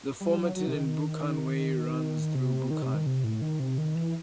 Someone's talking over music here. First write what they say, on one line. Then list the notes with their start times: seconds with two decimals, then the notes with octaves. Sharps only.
The Formartine and Buchan Way runs through Buchan.
0.20 G3
0.38 F#3
0.56 F#3
0.67 C3
0.74 D#3
2.35 C3
2.71 D#3
2.82 C3
2.94 D#3
3.06 C3
3.24 A2
3.42 D#3
3.60 C3
3.78 D#3
3.95 E3